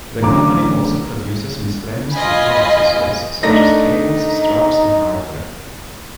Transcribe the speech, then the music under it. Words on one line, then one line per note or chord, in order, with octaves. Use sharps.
The company also produces miscellaneous guitar accessories, such as cables, straps and hardware.
A1 D3 F#3 A#5 D6
F4 D#5 G#5 B5
A3 D4 D#4 A#6